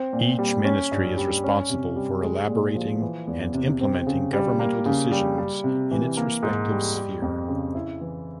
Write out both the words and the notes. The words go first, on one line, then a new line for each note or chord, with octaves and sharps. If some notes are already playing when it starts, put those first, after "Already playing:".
Each ministry is responsible for elaborating and implementing governmental decisions in its respective sphere.
Already playing: C4
A#2
G3
C#4
G2
G3
C#4
C3
G3
G#3
A#2
F3
E3
E2
C3
C4
C#3
G3
A#3
C#3
G3
G3
C3
E3
A#3
G#2
G3
G3
F2
C#3
E4
E3